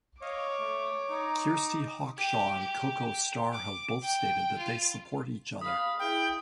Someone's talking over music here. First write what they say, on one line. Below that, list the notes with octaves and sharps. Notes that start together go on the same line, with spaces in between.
Kirsty Hawkshaw and Coco Star have both stated that they support each other.
C#5 D#5 F5 D6
A3
D#4 A#5
G4
G4
D6
G5
F4
F5 B5 D#6
E4 G#4 G5